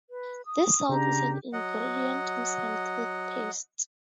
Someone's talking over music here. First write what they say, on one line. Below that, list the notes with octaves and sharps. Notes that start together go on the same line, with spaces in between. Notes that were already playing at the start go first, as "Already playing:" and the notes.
This salt is an ingredient in some toothpastes.
B4
D#6
C#3 D4 G4 A#5
F#3 D#5 F#5